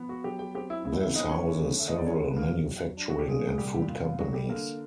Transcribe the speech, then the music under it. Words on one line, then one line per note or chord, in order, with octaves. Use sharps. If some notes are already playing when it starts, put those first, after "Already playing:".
This houses several manufacturing and food companies.
Already playing: F3 B3
F#4 F#5
F#3 G4 G5
G4 G5
C4 G4 G5
E4 E5
C#3 E4 E5
E4 E5
B3 D#4 D#5
C#4 C#5
D3
A3 E5
D#5
D5
G#3 C#4 C#5
B4
B2 A#3 A#4
F#3
D4
F#4
G4
A#2 G#3 G#4
G#4
C2 G3 G4
C3 F4
F4
F#3 G3 F#4
G3 G4
D3 A#3 A#4